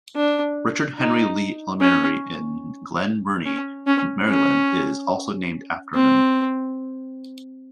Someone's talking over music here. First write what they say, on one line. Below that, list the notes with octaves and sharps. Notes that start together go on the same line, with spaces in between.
Richard Henry Lee Elementary in Glen Burnie, Maryland is also named after him.
D4
D#4
C#4
C#4
C#4
C#4
C4